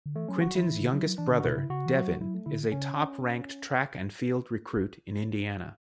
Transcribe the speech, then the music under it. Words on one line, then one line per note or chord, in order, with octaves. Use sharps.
Quintin's youngest brother, Devyn, is a top ranked track and field recruit in Indiana.
D3
E3 A3
F#3 C#4
F#3 F#4
E3 E4
E3
D3
F#3
F#3
E3 D4
D3
F#4
B2 E4
C#3
C#3 F#4
E3
F#3
F#3 E4
A3
D3 E4
C#3 C#4